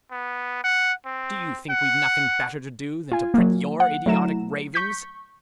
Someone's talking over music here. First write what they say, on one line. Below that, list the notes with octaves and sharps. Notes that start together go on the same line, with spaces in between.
Do you think we've nothing better to do than to print your idiotic ravings?
B3
F#5
C4
F#5
F4 G#5
F#3 A#3
F#5
F#3 A3 E4 A#5 E7
C#6 G6 B6